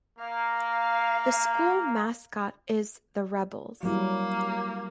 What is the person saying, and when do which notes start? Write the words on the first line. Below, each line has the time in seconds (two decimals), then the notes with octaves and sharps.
The school mascot is the Rebels.
0.19 A#3 F5
3.83 F#3 G3 A#3 E4